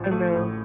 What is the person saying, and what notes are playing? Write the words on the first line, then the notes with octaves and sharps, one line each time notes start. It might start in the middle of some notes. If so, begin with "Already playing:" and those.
I know.
Already playing: A1 F3
A3
A2